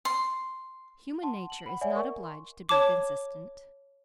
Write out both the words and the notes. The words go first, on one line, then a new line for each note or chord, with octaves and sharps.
Human nature is not obliged to be consistent.
C6
F#5 A5 C6
F#7
F#5 B5
C#5 D5 E5 F#5 G#5
A#4 G#5 C#6
C6
C#5 A5 D6